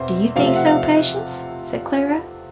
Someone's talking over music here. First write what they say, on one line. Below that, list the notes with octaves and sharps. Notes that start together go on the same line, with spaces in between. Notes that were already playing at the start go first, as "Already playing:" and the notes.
"Do you think so, Patience?" said Clara.
Already playing: E2 B2 C4 C5 E5
C3 F3 A3 C4 F5
E5
F#5
F5